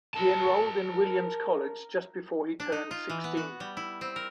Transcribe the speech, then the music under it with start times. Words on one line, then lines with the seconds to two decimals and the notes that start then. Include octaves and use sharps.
He enrolled in Williams College just before he turned sixteen.
0.14 A#4 A5
2.60 D4
2.72 D#4
2.91 F4
3.09 E3
3.24 B3
3.37 F#4
3.60 G3
3.77 E4
4.01 C4
4.16 A#4